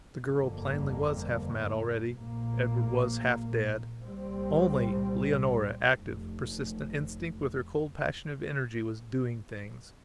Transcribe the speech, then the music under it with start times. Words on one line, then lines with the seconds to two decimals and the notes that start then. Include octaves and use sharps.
The girl, plainly, was half-mad already; Edward was half dead; only Leonora, active, persistent, instinct with her cold passion of energy, was "doing things".
0.22 G1 F2 D3 A#3
2.11 A#1 A#2 A#3
4.01 C2 A#2 G3 C4
5.89 F1